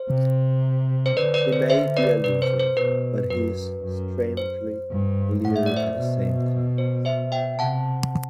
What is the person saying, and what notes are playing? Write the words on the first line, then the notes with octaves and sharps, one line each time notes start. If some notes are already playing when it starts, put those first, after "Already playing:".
He may be a loser, but he's, strangely, a leader at the same time.
Already playing: C5
C3
C5
D3 B4 D5
B4 D5
C5
C5 E5
B4 D5
C3 B4
C5
C5
B2 B4
F#2 B4
F#2
C5
G2
A2 F#5
E5
D5
C5 E5
B2
C5
C5 E5
E5 G5
C3 F#5 A5